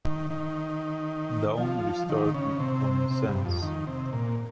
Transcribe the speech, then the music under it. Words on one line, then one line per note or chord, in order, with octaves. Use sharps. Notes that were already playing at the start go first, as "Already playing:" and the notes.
Dawn restored me to common sense.
D#3
D#3
F3
D#3
C#3
C3
C3
G2
F2
D#3
C3
A#2